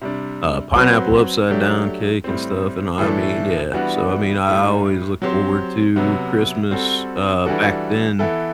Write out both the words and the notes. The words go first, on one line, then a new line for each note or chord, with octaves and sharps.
uh, pineapple upside-down cake, and stuff, and I I mean, yeah. So, I mean, I I always look forward to Christmas, uh, back then.
C3 G3 D4
F#3 C4 F#4 B4
F#3 A3 D4 G4
A2 G3 C4
A2 E3 A3 D4 A4
E3 G3 B3 D4 F#4
A2 G3 D4 G4
F#3 C4 G4 C5
C3 F#3 B3
G3 C4 F#4 A4
E3 G3 D4 F#4 A4
E3 B3 E4 A4